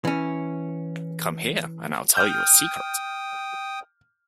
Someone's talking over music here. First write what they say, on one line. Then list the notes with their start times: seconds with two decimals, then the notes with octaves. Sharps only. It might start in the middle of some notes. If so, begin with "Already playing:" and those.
Come here and I'll tell you a secret.
0.05 E3 C#4
2.17 G5 D#6 F6 G6